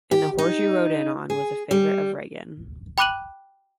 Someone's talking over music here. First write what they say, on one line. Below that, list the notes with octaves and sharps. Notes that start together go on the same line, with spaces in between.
"And the horse you rode in on" was a favorite of Regan.
G4
D#4
G#4
G3
G5 B5 D6 F#6 D#7 F#7